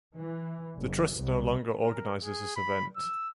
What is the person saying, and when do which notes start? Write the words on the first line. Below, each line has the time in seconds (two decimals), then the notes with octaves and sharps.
The Trust no longer organizes this event.
0.16 E3
0.79 F#1
1.19 C2
1.83 A#4
2.23 G#4
2.56 B5
2.97 E6